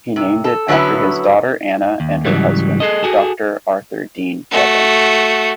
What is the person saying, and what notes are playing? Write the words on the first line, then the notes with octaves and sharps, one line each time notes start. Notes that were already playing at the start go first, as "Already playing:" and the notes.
He named it after his daughter Anna and her husband, Doctor Arthur Dean Bevan.
C3
A4
D3 F#3 B3 C#4 E4
D#2
G#2 C#3 E3 F#3 G3
G#4 A4 D#5
F#4 G#4 A4
A3 F#4